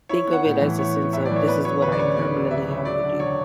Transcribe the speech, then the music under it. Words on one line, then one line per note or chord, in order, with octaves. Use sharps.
think of it as a sense of, “This is what I permanently have to do,”
E4 C#5
B3
F#5
A2
E3
E4 C#5
B3
A2 E5
D5
E3
C#5
B3 B4
F#3 C#5
D2 B4
D5
C#3 C#5
B3 D5
F#3
D2 E5
C#3
F#3 D5
D3
E1 C#5